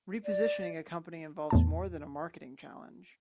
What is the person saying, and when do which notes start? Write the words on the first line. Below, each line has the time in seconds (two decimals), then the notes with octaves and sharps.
Repositioning a company involves more than a marketing challenge.
0.24 D5
1.50 E2 A2 A5